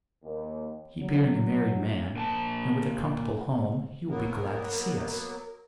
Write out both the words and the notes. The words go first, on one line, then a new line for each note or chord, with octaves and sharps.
He being a married man, and with a comfortable home, he will be glad to see us.'
D#2
F#3
A#2 G#5 A5
F#3 A#3 B3 A#4